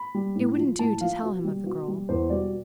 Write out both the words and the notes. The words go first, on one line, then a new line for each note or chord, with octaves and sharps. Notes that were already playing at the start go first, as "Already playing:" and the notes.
It wouldn't do to tell him of the girl.
Already playing: B5
G3
A2
F3
A2 A5
F3 F5
B2
G3
B2
G3
E2 C5
B2 G3 D5